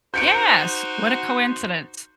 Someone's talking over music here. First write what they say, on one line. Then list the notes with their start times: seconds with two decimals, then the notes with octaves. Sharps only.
Yes, what a coincidence.
0.14 D#4 F#4 C5 G6 C#7 D7